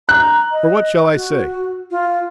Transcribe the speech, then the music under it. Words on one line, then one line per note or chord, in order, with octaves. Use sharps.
For what shall I say?
A#5 F#6
D#5
F#4
F4